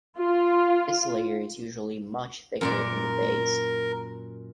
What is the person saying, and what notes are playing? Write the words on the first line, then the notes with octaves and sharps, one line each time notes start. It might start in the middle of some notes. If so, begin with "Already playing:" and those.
This layer is usually much thicker than the base.
F4
F#2 A#2 A#4 D5